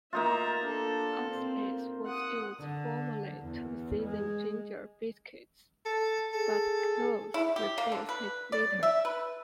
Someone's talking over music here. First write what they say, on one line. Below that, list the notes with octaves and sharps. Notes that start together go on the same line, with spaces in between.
Allspice was used formerly to season ginger biscuits, but cloves replaced it later.
A#3 D#4 F4 E5 A#5
D4 A4
C4
F#5 D#6
D3
E2
G#3
A4
G#4 A4
E4
G4
A#3
D3
B4
D5
E5
B4